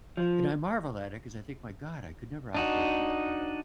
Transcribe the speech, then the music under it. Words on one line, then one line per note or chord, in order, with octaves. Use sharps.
And I marvel at it, 'cause I think, "My God, I could never operate on that level,"
F3
D4 D#4 F#4